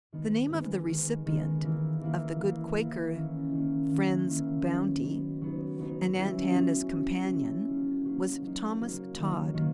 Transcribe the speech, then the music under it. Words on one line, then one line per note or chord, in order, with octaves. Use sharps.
The name of the recipient of the good Quaker friend's bounty and Aunt Hannah's companion, was Thomas Todd.
D#3 G#3 B3 D#4
D#3 G#3 B3 D#4
D#3 G#3 B3 D#4
D#3 G#3 B3 D#4
E3 A#3 E4
E3 A#3 E4
E3 A#3 E4
E3 A#3 E4
D#3 A#3 C#4 E4
D#3 A#3 C#4 E4
D#3 A#3 C#4 E4
D#3 A#3 C#4 E4
F#3 B3 D#4
F#3 B3 D#4
F#3 B3 D#4
F#3 B3 D#4
F#3 C#4 E4
F#3 C#4 E4
F#3 C#4 E4
F#3 C#4 E4
F#3 A#3 D#4
F#3 A#3 D#4
F#3 A#3 D#4
F#3 A#3 D#4
D#3 F#3 A#3 D#4
D#3 F#3 A#3